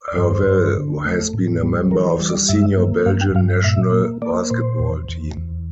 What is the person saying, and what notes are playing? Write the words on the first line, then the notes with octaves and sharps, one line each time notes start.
Hervelle has been a member of the senior Belgian national basketball team.
D5
G2 C5
G2
D3
A3
A2
G3
E3 A#4
C5
G3
D5
G2 E5
A#3
G2 F5
G5
G2 F5
A#2 E5
A#3
A#3 D5
A#2 C5
E2
E2
E2